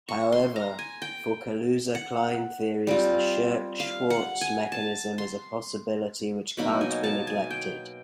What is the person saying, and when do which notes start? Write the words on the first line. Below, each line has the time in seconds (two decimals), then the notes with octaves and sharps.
However, for Kaluza-Klein theories, the Scherk-Schwarz mechanism is a possibility which can't be neglected.
0.09 C#6
0.32 C6
0.56 A#5
0.79 G#5
1.02 G5
1.95 F#5
2.87 G3 C4 F4
3.80 F5
4.10 F#5
4.41 G#5
4.72 A5
5.18 C6
6.57 B2 F#3 A#3 D#4 B5
6.81 G#5
7.03 A5
7.27 G#5
7.50 G5